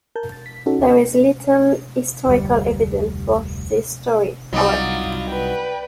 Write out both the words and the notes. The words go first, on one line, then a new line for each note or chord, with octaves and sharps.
There is little historical evidence for this story, however.
A#4 A5 G6
A6
B6
C#4 D#4 F#4 A4
D2 C#5 G5
F1 D2 G3
C2 F#3 D#4 F4 D5 B5
B4 G5